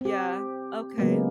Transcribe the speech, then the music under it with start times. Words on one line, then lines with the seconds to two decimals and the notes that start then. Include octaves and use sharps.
Yeah, okay.
0.01 C4 G4
0.98 C#3 F#3 G#3 A#3 B3